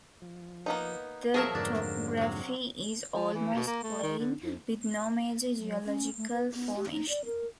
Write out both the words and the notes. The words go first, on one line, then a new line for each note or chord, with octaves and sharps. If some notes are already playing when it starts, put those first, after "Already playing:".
The topography is almost plain, with no major geological formation.
F3
A#3 B3 D#4
B2 F3 F#3 G#4 A#4 C#5 E5 A5
F2 G#2 D3 A#3 D4
C3 F#3
F3
E3
B2
A#3
A3
D#3
D3
F2
F#3
C#4
A3
B4
B3
G4
D#4
D5
A#4